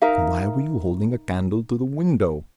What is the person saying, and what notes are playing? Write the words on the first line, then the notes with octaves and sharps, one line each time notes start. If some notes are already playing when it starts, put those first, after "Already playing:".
"And why were you holding a candle to the window?"
D#4 A#4 E5 F5